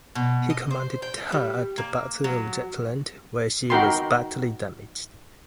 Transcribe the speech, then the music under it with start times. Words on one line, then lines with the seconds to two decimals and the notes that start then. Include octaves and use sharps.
He commanded her at the Battle of Jutland, where she was badly damaged.
0.15 B2
0.50 D#5
0.71 C5
1.02 G5
1.32 G3
1.78 A#3
2.24 F#3
3.70 D#4 F#4 A#4 G5 B5 C6